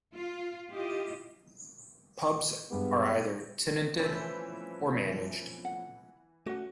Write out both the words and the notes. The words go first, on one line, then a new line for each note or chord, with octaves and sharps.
Pubs are either tenanted or managed.
F4
E4 F4 G4 D#5
G2 G#3 B3 G4
E3 F3 A3 C#4 C5 E5
F#5
A3 C#4 F#4 F#5